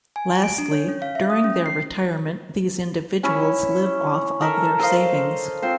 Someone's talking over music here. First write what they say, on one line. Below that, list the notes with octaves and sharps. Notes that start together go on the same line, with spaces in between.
Lastly, during their retirement these individuals live off of their savings.
G#5
D7
D4
C#5
C#4
F5
E5
D#6
C#4
C7
C#4 E4
A4 A#4 E5
A4 C5 D#5 F5
C4 F4 C5